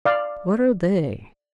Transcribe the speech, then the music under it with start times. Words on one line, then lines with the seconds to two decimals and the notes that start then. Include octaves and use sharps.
"What are they?"
0.05 D5 F5